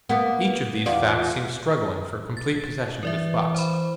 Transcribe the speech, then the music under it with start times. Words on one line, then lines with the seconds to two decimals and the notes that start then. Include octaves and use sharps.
Each of these facts seemed struggling for complete possession of his thoughts.
0.09 A#3 B3
0.86 E2 F4 D5
2.37 A6
3.03 E3 A#4 D5 E5
3.55 C5 B5